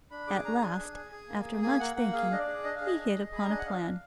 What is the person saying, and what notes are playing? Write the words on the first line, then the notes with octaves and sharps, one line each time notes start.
At last, after much thinking, he hit upon a plan.
D4 B5
G#4 D6
D4 A#5
D4 G#5
G#4
G#4
G#4
A#3
G#4
A#3 G#5
A#3 F#5
A#3 F#5
G#4 F5
D4 D#5
D5
G#4
D4 D#5
F5
G#4
D#5
D4
G#4
G#4 B5
A#5
D4 G#5
F#5
D4 F5
D4